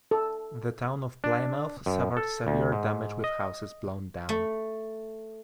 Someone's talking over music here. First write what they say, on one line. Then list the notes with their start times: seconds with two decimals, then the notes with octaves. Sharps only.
The town of Plymouth suffered severe damage with houses blown down.
0.11 A4
1.24 D4
1.86 F#2
2.17 A4
2.47 D2
2.72 G#2
3.24 D#5
4.29 A3